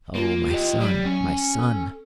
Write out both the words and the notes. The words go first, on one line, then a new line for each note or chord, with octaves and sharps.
Oh, my son, my son!
A#3 F4
G4 D#5
F#3 G3
C#4
A4